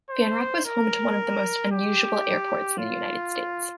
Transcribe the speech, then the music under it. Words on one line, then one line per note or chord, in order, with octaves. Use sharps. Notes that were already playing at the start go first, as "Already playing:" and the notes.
Fanrock was home to one of the most unusual airports in the United States.
C5
A#4
G4
F4